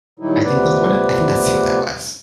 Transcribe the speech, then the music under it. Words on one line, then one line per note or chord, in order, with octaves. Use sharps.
I think that's what it I think that's who that was.
A#2 D#3 F#3 G3 D#4 E4
D2 C3 F3 B3 B4 D5